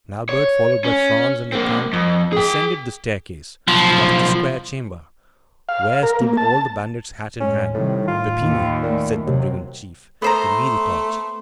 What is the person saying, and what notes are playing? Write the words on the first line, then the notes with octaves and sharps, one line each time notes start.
And Albert, followed by Franz and the count, descended the staircase, crossed the square chamber, where stood all the bandits, hat in hand. "Peppino," said the brigand chief, "give me the torch."
C#5
C#4
A#3 C4
F2
G#4 G5
B1 F3
F5
A#4
A#3
A5
A2 G#3 C#4
A2 C3 D#3 G3
A2 F4
D#2
A#2 A3
D#2 C3 F#3
A3 B3 C5 A#5